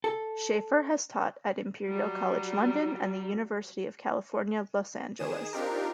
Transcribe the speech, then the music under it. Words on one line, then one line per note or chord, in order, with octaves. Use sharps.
Schaffer has taught at Imperial College London and the University of California, Los Angeles.
A4
F#3 G3
D#3 G#4 D#6 E7
C4 D4 D#4 F4 G4 A#4